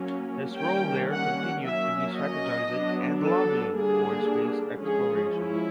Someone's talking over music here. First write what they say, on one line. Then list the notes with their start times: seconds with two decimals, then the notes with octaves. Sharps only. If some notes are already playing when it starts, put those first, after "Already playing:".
His role there continued to be strategizing and lobbying for space exploration.
Already playing: F#3 A#3 C#4
0.55 D#3 G3 A#3 C#4 G5
1.08 F#5
1.62 F#3 A#3 C#4 E5
2.15 D#5
2.69 F#3 B3 D4
3.22 A4
3.74 D3 G3 A#3 D4 G#4
4.81 F3 G#3 C#4 G#4
5.35 E4